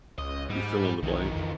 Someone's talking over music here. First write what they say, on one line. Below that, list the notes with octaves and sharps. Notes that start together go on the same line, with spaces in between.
you fill in the blank,
C#2 D#5
G#2 G3
B1 D#3 E3
F2